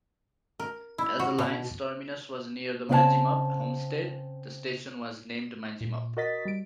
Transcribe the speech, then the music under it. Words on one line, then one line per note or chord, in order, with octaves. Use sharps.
As the line's terminus was near the Manjimup homestead, the station was named Manjimup.
A#4
E4
F#4
B2
C#3 C4 F5 A5
A#2
F#4 A#4 D#5 A6 B6
G3 D7